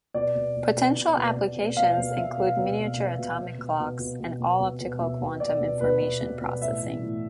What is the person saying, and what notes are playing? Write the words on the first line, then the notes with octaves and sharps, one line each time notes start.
Potential applications include miniature atomic clocks, and all-optical quantum information processing.
B2 D5
B2
B2
B2
B2
B2
B2
B2
B2 F5
B2
B2 E5
B2
B2
B2
B2
B2
B2
B2
B2
B2
B2
B2
B2
B2
B2 E5
B2
B2 D5
B2
B2 B4
B2
B2
B2
A2 E5
E3
A2